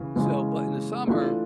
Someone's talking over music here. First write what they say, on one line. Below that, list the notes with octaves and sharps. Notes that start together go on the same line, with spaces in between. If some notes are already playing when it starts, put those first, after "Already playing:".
so- but in the summer,
Already playing: C#3 E3
C#3 E3 G#3
E3 A3 D4 F4